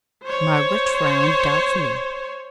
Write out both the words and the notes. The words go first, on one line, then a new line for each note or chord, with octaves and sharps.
Margaret frowned doubtfully.
C5 C#5